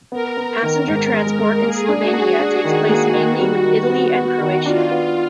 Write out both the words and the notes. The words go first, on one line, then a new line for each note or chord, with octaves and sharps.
Passenger transport in Slovenia takes place mainly with Italy and Croatia.
B3 A#4
B3
D#3
G#2
G#3
G#3
A#3 G#4
D4
F#4
D4
D4 F#4
D#3
F#4
A#3
D#3
G3
D#3
B3
B3
D#3
D4 F4
B3